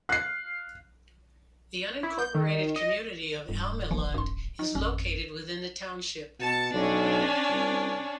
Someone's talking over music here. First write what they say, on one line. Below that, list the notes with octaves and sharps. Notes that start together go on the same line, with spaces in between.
The unincorporated community of Almelund is located within the township.
F5 F#6 C7
E4
G6
D#3
D#5
D1 G2
G#1 D#2 E3 F3
F#2 C6
D#4
G#1 F2 C#4
B2 A5 C#7
B1 C#4 D4
C2